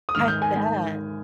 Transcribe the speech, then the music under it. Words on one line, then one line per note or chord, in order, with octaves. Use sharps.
I bet.
D#6
G#2 D#3 F6
G6
G#5